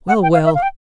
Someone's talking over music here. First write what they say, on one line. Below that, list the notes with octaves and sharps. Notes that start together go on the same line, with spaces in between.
'Well! well!
F#5
G5
F5
E5
F5
G5